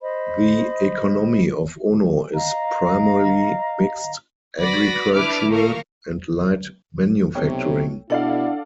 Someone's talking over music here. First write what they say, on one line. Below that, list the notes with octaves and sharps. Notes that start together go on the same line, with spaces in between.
The economy of Ono is primarily mixed agricultural and light manufacturing.
C5 D#5 B5
D#5 F5 A#5
F#4 B4 D5 B5 A#6
D4 E4 B4 D6 F6
A3 A#3 A#4 F5 C#6
B1 C3 A3 C#5 G5
B2 D4 E4 A4 D5 F5 F#5